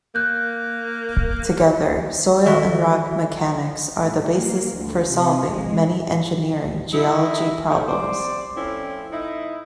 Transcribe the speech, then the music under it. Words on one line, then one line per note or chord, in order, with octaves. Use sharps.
Together, soil and rock mechanics are the basis for solving many engineering geology problems.
A#3 F#6 G6
D#3 F#4 A4 E5 B6
A2
A#3
D2
C3
G#3
F3 D#4 E4
A3 C4 C#4 D#4 E4
C3 C5 D5
A2 F3 C4 C#4 E4
A2 D#4 E4